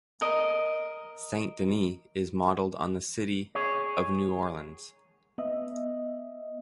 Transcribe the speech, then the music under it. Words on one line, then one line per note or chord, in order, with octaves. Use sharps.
Saint Denis is modeled on the city of New Orleans.
A#4 D#5
G#4 C#5
B3 D#5 E5